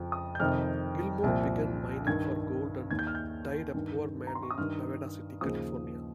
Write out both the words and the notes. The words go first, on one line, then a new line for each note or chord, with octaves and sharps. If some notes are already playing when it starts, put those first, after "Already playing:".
Gilmore began mining for gold and died a poor man in Nevada City, California.
Already playing: F2 C#3 F3
D#6
G6
F2 C3 D#3 F6
C2 A#2 F3
G2 D#3 G#6
D#2 D#3 G#6
G6
F6
G6
G2 D#3
A#5
C6
C#6
D#6
G2 D#3 F6
D#2 C#3 F3 D#6